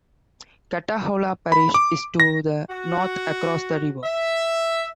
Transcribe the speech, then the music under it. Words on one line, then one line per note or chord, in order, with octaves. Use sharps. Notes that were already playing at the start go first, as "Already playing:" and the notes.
Catahoula Parish is to the north across the river.
B5
D6
A#6
F#4
E5